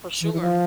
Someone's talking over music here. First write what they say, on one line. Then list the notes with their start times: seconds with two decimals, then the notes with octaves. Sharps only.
For sure.
0.21 E3
0.33 E3
0.41 F3